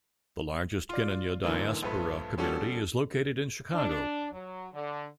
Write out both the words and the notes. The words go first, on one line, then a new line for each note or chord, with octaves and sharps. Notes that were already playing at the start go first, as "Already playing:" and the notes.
The largest Knanaya diaspora community is located in Chicago.
F4 D5
G#2 D3 E3 F#3 A#3
A#1 G2 A4 B4
F3 G3 C#4 D4 F#4 A4
D4
F#3
D3